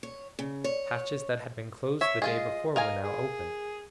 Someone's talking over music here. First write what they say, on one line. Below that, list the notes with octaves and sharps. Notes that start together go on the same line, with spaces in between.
Hatches that had been closed the day before were now open.
C#5
C#3
C#5
C#5 E5
G#3 F4 G#4 D#5
A#4 D#5 F5 G#5
G#4